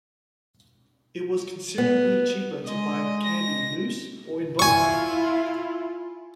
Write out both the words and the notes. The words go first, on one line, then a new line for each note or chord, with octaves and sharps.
It was considerably cheaper to buy candy loose, or in bulk.
B3
G#3 D#5
A#6
E4 F4 G#5 C#6